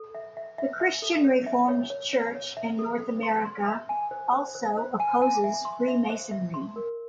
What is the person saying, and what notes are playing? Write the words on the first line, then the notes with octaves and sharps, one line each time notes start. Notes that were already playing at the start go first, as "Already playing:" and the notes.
The Christian Reformed Church in North America also opposes Freemasonry.
Already playing: A4
E5
E5
E5
E5
A4
C#5
E5
C#5
C#5
C#5
C#5
E5
A4
A4
C6
C6
E5
G#5
C5
C5
C5
C5
G#5
G#5
E5
C6
E5
C5
E5
C6
A#4